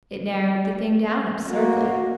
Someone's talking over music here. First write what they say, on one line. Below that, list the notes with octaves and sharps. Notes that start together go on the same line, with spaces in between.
It narrowed the thing down absurdly.
A#3 F#4